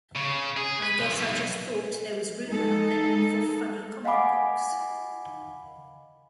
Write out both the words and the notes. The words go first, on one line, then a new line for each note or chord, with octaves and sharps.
I guess I just thought there was room out there for funny comic books.
C#3
G#4
B4
B1
B1
G#3 D#4 A4
D#5 F5 F#5 G#5 B5 D6